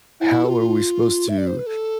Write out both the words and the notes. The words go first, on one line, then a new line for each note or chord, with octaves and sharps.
how are we supposed to
E4
A4
F4
E5
D5
C5
B4
A4